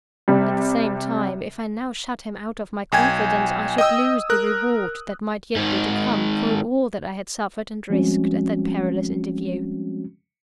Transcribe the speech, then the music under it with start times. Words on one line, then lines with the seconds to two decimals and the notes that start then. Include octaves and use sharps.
At the same time, if I now shut him out of my confidence, I should lose the reward that might yet be to come, for all that I had suffered and risked at that perilous interview.
0.28 C3 G3
2.92 B1 G5 G#5 G#6
3.78 D#5 G5 D#6 E6
4.30 A#4 F#6
5.56 G#2 D#3
7.90 F3 G3 G#3 C4 C#4 F#4